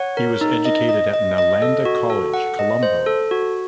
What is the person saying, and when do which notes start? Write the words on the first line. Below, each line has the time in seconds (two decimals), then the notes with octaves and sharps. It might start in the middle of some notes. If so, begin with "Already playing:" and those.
He was educated at Nalanda College Colombo.
Already playing: C#5 F#5
0.17 A#4
0.41 D#4
0.65 D#5
0.89 D#5
1.14 D#5
1.38 D#5
1.62 A4
1.85 F#4
2.10 A4
2.34 F#5
2.59 D#5
2.83 C5
3.06 A4
3.31 F#4